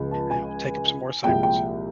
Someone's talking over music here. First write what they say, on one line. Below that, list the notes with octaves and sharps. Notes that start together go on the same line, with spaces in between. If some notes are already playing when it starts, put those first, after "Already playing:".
and I'll take up some more assignments
Already playing: C#2 C#3 F3 G#3
A5
G#5
C2 A#2 F3 G#3 G5
G5